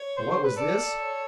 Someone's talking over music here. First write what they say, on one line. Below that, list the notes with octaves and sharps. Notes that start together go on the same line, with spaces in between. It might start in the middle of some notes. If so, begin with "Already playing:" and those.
But what was this?
Already playing: C#5
C5
C5
B4
A4 D5
C#5